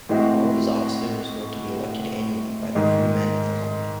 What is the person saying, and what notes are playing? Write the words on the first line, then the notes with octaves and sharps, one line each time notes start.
All these officers were to be elected annually by the freemen of the colony.
A2 E3 G#3 C4 F#4
G#2 D#3 G#3